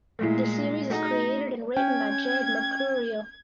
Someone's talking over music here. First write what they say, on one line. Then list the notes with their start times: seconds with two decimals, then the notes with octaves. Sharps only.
The series is created and written by Jed Mercurio.
0.19 A#2 G#3 A3 E4
0.90 A3 D#4 F#4 G#4
1.77 C#4 G5 G#6